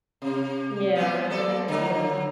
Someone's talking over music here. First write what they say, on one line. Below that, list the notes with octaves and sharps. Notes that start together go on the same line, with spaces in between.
Yeah. I can see that.
C3
B3 C4
F#3 A4 D5
D3 F#3